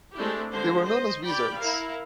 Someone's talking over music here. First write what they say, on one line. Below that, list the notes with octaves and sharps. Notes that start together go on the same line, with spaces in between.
They were known as "wizards".
G#3 A3 C4 D4 E4 G4
D3 G#3 C5
C5 D#5
G4 D5 G5 B5
E4 A#4 F5